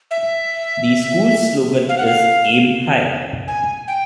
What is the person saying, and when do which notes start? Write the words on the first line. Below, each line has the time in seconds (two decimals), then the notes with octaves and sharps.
The school's slogan is "Aim High".
0.11 E5
1.89 F5
1.98 F#5
2.06 F5
3.48 G#5
3.88 G5